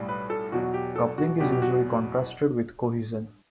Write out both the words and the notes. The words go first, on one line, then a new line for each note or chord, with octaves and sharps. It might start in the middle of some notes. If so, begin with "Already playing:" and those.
Coupling is usually contrasted with cohesion.
Already playing: B1 A2 G3
B4
A4
E2 B2 F#3 F#4
G4
A4
F#4
E2 B2 F#3 G4
G4
F#4